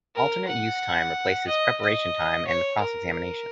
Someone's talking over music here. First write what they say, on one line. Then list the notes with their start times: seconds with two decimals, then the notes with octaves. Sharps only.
Alternate use time replaces preparation time and cross-examination.
0.15 A#4
0.48 F#5
1.48 D#5
1.81 D#5
2.47 C#5
2.81 A#4